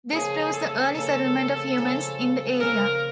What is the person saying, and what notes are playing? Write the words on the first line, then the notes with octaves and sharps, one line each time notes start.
This proves the early settlement of humans in the area.
C#3 F3 A#3 G#4
A4
C#3 F3 A#3
C#3 F3 A#3
C#3 F3 A#3 A#4